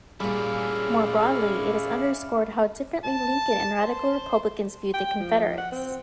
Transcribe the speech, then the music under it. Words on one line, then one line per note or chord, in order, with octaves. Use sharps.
More broadly, it underscored how differently Lincoln and Radical Republicans viewed the Confederates.
A#2 G3 C#4 E4 G#4 D5 F5
A5
C5
G5
F3
F#5
C4